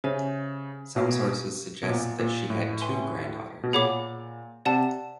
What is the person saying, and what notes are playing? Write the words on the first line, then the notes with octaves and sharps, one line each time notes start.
Some sources suggest that she had two granddaughters.
C#3 G4 C5 E5 G#5
B2 C#5 F5 G#5
B2
A#2 C5 D#5 F#5 A#5 D6
A#2
A2
B4 E5 G#5 C6
B2
A#2 G#4 C#5 F#5 B5 D6
C3 D5 F#5 A5